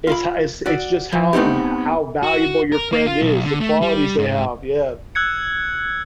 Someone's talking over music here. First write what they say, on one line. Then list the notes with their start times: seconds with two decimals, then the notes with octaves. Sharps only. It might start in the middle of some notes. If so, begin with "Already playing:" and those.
it's ho it's it's just how h how valuable your friend is, the qualities they have. Yeah,
0.07 F4 F5 B5
0.66 F#4 D5
1.13 F3
1.33 A3 B3 C4 D#4 G4
2.23 F#4
2.72 A#4
2.92 A#3
3.07 F4
3.22 B1
3.45 D3
3.60 A3
3.82 G3
4.18 G#2
5.15 E6 F#6 G#6 C#7